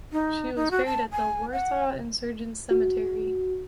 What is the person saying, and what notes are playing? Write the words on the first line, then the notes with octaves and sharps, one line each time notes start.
She was buried at the Warsaw Insurgents Cemetery.
D#4
D#4
F#4
A5
G#5
F#5
F#4